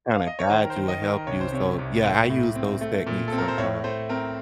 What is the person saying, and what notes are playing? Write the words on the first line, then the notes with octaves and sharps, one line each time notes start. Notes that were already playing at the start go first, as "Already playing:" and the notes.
kinda guide you or help you, so, yeah, I use those techniques sometimes.
F5
D#5
C#5
D#3 C5
A#4
C5
D#3
D#5
D#3
A#4
C2 C#5
C5
C3 C#5
C2
A2
A2
C4
A3
A#2
C4 A4
A#4
C5
A2 C#5
A3 C5
C4 A#4